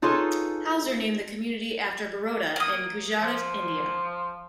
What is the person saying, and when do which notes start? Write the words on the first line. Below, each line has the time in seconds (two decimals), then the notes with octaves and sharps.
Houser named the community after Baroda in Gujarat, India.
0.02 D#4 F4 G#4 A4 B4 C#5
2.56 A#3 D#6
3.21 F3